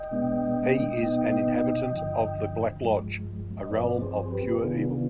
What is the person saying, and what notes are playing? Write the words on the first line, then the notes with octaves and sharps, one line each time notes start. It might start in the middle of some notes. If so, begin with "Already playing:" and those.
He is an inhabitant of the Black Lodge, a realm of pure evil.
Already playing: D#5 G5
B2 G#3 B3 D4
B2 B3 D#4
G2 D3 F3
G2 F3 G#3
D#5
G2 F3 C4 B4 D5
G#4 C5
G#4
G4 B4
C3 D#3 B3 D4 F4 G#4
F4